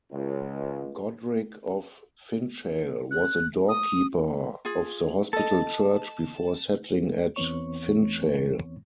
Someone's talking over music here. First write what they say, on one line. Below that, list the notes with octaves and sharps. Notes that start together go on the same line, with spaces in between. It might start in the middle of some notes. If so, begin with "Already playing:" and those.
Godric of Finchale was a doorkeeper of the hospital church before settling at Finchale.
C#2
F#6
D#6
F4 G#4
A4 D#5 A5
E2 E3 B3 C4 C#5 C#6